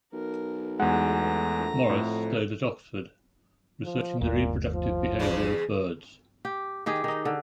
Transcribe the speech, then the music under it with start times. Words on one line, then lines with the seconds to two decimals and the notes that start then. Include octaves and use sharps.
Morris stayed at Oxford, researching the reproductive behaviour of birds.
0.13 B1 A#4
0.80 E2 G#3 A3 F#5 A#5
1.58 A#1
1.89 F2 A2
3.84 F3
4.21 G1 D#2 A#2 A3
4.73 F3
5.19 E2 C#3 G#3
6.45 G4
6.86 D#3 G4 G#4
7.04 D#3 D#4
7.25 D3